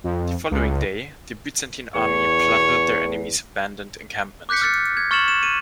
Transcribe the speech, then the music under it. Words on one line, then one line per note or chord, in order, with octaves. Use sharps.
The following day the Byzantine army plundered their enemy's abandoned encampment.
F2
C#2
E2 C#5
D6 F#6 G6 B6 C#7
F6 A6 C#7
G#6
C#6 F6 A6 C#7 E7 F#7
E7
D#7